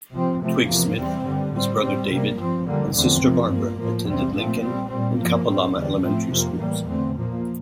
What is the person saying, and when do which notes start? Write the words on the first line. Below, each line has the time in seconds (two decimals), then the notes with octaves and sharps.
Twigg-Smith, his brother David, and sister Barbara attended Lincoln and Kapalama elementary schools.
0.13 C3 F3 C4
0.41 C3 F3 A3 C4
0.69 E2 C3 F3 A#3
0.97 E2 C3 G3 C4
1.25 G2 D3 G3
1.53 A2 G3 C4
1.82 A2 G3 C4
2.09 C3 G3 A#3
2.37 G2 F3 C4
2.66 F2 D3 G3 A#3
2.94 E2 D3 F3 A3 C4
3.22 C3 F3 A#3
3.50 G2 F3 A#3
3.77 A2 F3 A#3
4.06 E2 C3 G3 C4
4.34 A#2 F3 A3 C4
4.62 A#2 G3 C4
4.90 A#2 G3 C4
5.19 G2 F3 A#3
5.47 A2 G3 C4
5.75 E2 D3 G3
6.02 A2 F3 A3 C4
6.31 F2 C3 F3 A#3
6.58 A2 E3 G3 A#3
6.87 E2 D3 A3 C4
7.15 A#2 F3 A#3